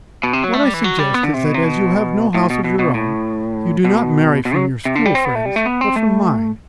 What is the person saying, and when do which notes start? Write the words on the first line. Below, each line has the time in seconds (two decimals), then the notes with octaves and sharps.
What I suggest is that, as you have no house of your own, you do not marry from your school friend's, but from mine.
0.23 B2
0.33 C3
0.44 F#3
0.53 A3
0.64 G3
0.74 E3
0.84 F#3
0.99 G3
1.14 B3
1.23 D3
1.34 C3
1.44 B2
1.54 C3
1.64 B2
2.34 A2
2.50 B2
2.64 B2
2.79 B2
2.94 A2
3.85 B2
4.45 B2
4.55 F#3
4.85 C3
4.95 D3
5.06 G3
5.15 C4
5.25 B3
5.35 A3
5.46 G3
5.56 A3
5.66 B3
5.81 C4
5.96 A3